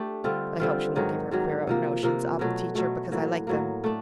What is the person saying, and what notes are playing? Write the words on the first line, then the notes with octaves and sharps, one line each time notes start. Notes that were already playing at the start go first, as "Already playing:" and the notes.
But I hope she won't give her queer notions up, teacher, because I like them.
Already playing: A3 D4 G4
D3 G3 C4 F4
D3 G3 C4 F4
G#2 D#3 F#3
G#2 D#3 F#3
C3 F3 A#3
C3 F3 A#3
B2 F#3 A3
B2 F#3 A3
A2 F#3 A#3
A2 F#3 A#3
A3 D4